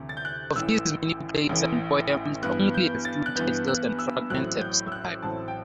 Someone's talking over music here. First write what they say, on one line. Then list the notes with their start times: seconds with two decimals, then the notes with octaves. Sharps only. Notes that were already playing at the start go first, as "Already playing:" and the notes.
Of his many plays and poems only a few titles and fragments have survived.
Already playing: D2 C3 E3
0.09 A6
0.17 G6
0.25 F#6
0.56 A1 A2 E3 E6
1.49 A1 A2 E3
2.42 G2 E3 B3 F#6
2.74 G6
3.05 A6
3.26 F#6
3.36 G2 E3 B3 G6
3.68 F#6
3.99 E6
4.29 A1 A2 F#3 C4 F#6
4.61 G6
4.88 E6
4.92 F#6
5.23 A1 A2 F#3 C4 A5
5.48 G5